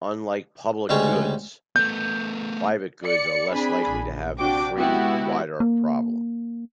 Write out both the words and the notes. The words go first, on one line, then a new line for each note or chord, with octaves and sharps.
Unlike public goods, private goods are less likely to have the free rider problem.
D2 C#3 G3 G#3 C#5 C#6
A3 B3 G6
D5 C#7
C4 D4 G#4 B5
A#1
C3 D4 F#4 G5 D6
G#3 B3 E4 F#4 G4
A#3